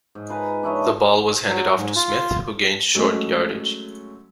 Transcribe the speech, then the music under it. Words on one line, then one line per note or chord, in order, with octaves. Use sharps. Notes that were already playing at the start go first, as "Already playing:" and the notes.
The ball was handed off to Smith, who gained short yardage.
G#2
F4 B4 G#5 A#5
D4 E4 C#5 D#5
F#3
G#2
F4
F#3 G#3 A3 C#4